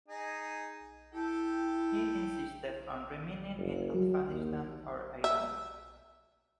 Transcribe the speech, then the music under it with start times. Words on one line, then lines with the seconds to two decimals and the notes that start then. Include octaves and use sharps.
He insisted on remaining in Afghanistan or Iran.
0.08 D#4 G#4
1.13 E4 G4 A4 G5
3.58 F#1
3.94 F#3
4.29 D#2
5.24 E5